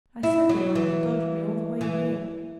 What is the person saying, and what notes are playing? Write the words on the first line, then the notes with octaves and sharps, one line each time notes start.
"I said they might have dodged me all the way here."
E4
F#3
E3
E3